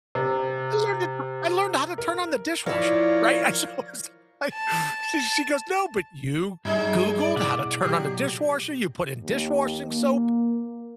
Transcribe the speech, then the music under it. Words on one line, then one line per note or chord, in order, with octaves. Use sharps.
I learned it, I learned how to turn on the dishwasher, right? And so I was like, she she goes, "No, but you googled how to turn on the dishwasher, you put in dish-washing soap."
C3
A#4
F3 E4 A#4 C#5 D5 F5
A5
G2 F#3 D#4 G#4
D5
B2 E4 F#5
B2 F#3 G4 G#4
D#2
A#3